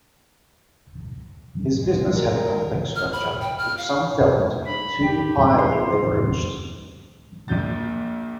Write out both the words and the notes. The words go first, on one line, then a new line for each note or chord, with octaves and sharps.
His business had a complex structure which some felt to be too highly leveraged.
G#3
A#4
F6
B5
G5
F6
F5
B5
G4
C6
A#1 A#2 G6 A6